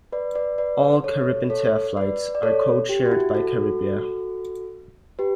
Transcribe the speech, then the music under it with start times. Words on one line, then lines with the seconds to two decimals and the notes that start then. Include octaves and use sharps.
All Caribintair flights are codeshared by Caribair.
0.12 B4 D5
0.35 B4 D5
0.58 B4 D5
1.04 A4 C#5
1.50 A4 C#5
1.97 B4 D5
2.35 D5
2.43 A4 C#5
2.89 G4
3.06 F#4
3.12 E4
3.35 F#4 A4
5.19 G4 B4